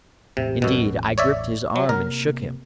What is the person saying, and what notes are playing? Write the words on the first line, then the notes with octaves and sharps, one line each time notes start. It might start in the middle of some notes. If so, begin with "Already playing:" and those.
Indeed I gripped his arm and shook him.
A1 E2 A2 C3
F#2 B2
C#5 D5 E5
F#3
C3 A#3 A#4